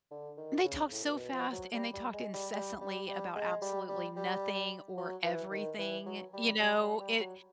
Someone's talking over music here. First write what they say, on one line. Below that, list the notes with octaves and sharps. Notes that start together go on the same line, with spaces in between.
They talked so fast, and they talked incessantly about absolutely nothing or everything, you know? It
D3
D#3
C#3
A2
A#2
B2
F3
F#3
G3
G3
G#3
G3
G3
G3
G3
G#3
G3
G3
G3
F#3
E3
D#3
E3
F#3
G3
G3
G3
G3
F#3